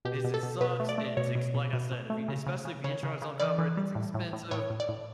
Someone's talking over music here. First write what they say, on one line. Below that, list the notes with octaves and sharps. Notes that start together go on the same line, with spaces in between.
is it sucks, it's ex like I said, if you especially if the insurance don't cover it, it's expensive.
B2 G4
B2
A4
B2
B2 B4
A3
D5
A3
B2 C#5
B2
B2
B2
B2
A3
C#3
C#3
C#3
C#3 C#5
C#3
C#3
E3 D5
E3
G3
A2
A2
A2
A2 C#5
A2
D5
A2